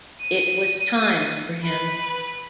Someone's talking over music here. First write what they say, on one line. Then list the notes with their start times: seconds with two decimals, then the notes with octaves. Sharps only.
It was time for him.
0.22 D#7
1.63 B4